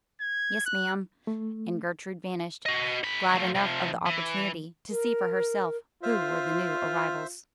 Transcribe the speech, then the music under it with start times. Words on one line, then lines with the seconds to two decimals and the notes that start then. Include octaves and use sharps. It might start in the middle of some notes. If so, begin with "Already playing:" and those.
"Yes ma'am," and Gertrude vanished; glad enough of the opportunity to see for herself who were the new arrivals.
0.21 G#6
0.66 F#6
1.27 A3
2.66 F#4 D#5
3.03 G#2 B5
3.34 F3 A3
3.55 C3 F3
4.06 E3
4.90 A#4
6.03 F4 C5 E5